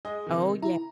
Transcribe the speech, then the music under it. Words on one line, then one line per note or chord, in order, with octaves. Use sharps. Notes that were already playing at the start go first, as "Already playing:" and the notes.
Oh, ye
G#3 G#4 D#5
C3 D#3
E4 A#5